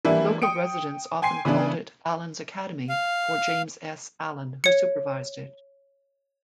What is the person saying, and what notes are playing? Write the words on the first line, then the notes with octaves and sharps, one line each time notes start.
Local residents often called it Allen's Academy, for James S. Allen, who supervised it.
E3 G3 A#3 D4 E4
G5 D#6 C#7 D7
G5 G#5 C6 C7
C#3 E3 B3 D4
F5
C#5 C#7